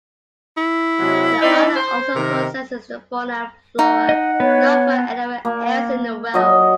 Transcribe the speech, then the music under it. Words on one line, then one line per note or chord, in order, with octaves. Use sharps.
The island also possesses fauna and flora not found anywhere else in the world.
E4
C3 F#3 G#3
C4 D#4 D5
C5
C3 D#3 A#4
D#4 F#5
D#5
B3 B4 C#5
A#3
F#3 D#5